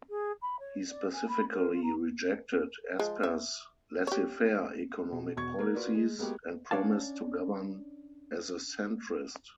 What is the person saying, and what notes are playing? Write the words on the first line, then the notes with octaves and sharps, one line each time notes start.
He specifically rejected Asper's laissez-faire economic policies, and promised to govern as a centrist.
G#4
B5
C#5
D5
G#5
B5
A#4
F4
A#5
F3 G#3
E5
G4 C#5
B2
E1 B2 C#6 G#6
A#3 A#4
F4 F#4 A#4 B4 D5
G#3
G#3 A#3 B3 F#4 G4
C#4 D4 C#5 D5 F5 A5